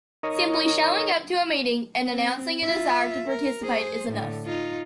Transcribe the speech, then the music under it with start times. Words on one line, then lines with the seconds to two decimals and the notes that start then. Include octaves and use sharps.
Simply showing up to a meeting and announcing a desire to participate is enough.
0.23 D#4 A#4 C#5 D#5
2.12 C4
2.63 F4 E5
3.28 A#4
3.63 G#4 C5
4.10 A2 D3
4.45 D#4 F4